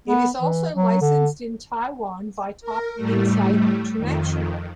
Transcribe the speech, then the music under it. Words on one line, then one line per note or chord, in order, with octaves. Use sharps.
It is also licensed in Taiwan by Top-Insight International.
B3
E3
F#3
D3
A#4
A2 G3 A3
F2 D#3